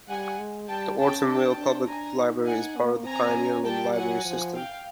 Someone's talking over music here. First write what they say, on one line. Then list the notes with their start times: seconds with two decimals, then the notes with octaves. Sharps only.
The Ortonville Public Library is a part of the Pioneerland Library System.
0.09 G3 F#5 G#5
0.39 G#3
0.68 G3 G5 A5
0.98 C#4 G5 A5
1.28 D4 G5 A5
1.57 D4
1.87 D4 G#5 A#5
2.17 D#4
2.46 F#5 G#5
2.77 A#3
3.05 C4 G#5 A#5
3.35 C#4
3.65 G3 G5 A5
3.95 F#3 F#5 G#5
4.25 F3
4.54 F5 G5